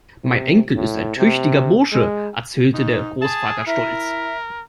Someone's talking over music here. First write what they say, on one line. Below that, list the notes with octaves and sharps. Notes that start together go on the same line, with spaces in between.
"Mein Enkel ist ein tüchtiger Bursche", erzählte der Großvater stolz.
C3
A2
C3
G#3
G#2 D#4
G#4 A5
E4 A#4 E5